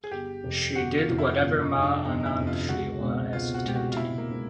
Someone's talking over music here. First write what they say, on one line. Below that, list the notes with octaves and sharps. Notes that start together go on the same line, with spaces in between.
She did whatever Ma Anand Sheela asked her to do.
G#4
G1 G4
F2 C3
G1 F#4
F4
F2 C3
E4
G1 F4
D#4
F2 C3
D4
G1 D#4
D#4
E4
F2 C3
F4
C#2 F#4
B2 G#3 C4
C#2 F4
F#4
B2 G#3 C4 G4
F#4
F4
C#2 E4
A#3
B2 G#3 C4